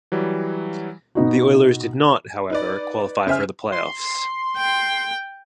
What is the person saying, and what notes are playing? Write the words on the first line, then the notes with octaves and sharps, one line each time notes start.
The Oilers did not, however, qualify for the playoffs.
E3 F#3 G3
B2 B3 D#4 F#4
D#4 B4 D5
C#3 C5 E5 G#5 F6
C6
G5